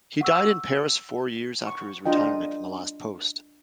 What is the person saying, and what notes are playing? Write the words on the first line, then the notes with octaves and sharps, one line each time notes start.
He died in Paris four years after his retirement from the last post.
F#5 C#6 E6
C#6
D4 F4 D#5 G5